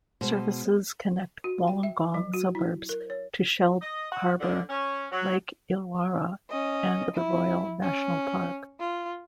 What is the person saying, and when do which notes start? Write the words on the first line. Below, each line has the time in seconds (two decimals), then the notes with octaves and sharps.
Services connect Wollongong suburbs to Shellharbour, Lake Illawarra and the Royal National Park.
0.21 B2 G#3 C5
1.44 F#4
1.68 G5
1.83 E5
2.14 F#3
2.34 F#4
2.55 E4
2.89 A#4
3.10 C#5
3.81 D#5
4.11 F#4
4.40 D3
4.68 C#4
5.11 F#3
6.49 C#4 D#5
7.14 E4
7.82 C#4
8.79 F4